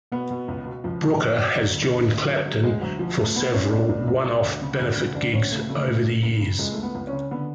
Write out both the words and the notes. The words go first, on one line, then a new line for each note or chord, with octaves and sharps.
Brooker has joined Clapton for several one-off benefit gigs over the years.
B2 B3
B2
C#2
B2
C#2 F3
B2
B2
B2
D2 F#3
D3
D2
D3
D3 F#3
D3 F#3
D2 G#3
D2 F#3
B2 F3
C#2 A3
B2 B3
C#2 C#4
B2 D4
C#2
C#2
B2
D2
C#3
D2
C#3
D2 D4
D2 C#4
C#3 A3
C#3 A3
C#2
C#2
C#2
C#3
C#2 G#3
A3
C#2
B3
C#2
C#4
C#3
D3 B3